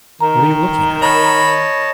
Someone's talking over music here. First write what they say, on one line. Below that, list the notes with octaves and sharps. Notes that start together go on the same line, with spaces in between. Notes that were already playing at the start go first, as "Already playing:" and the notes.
"What are you looking at?"
D#3 A#5
C#5 D#5 A5 B5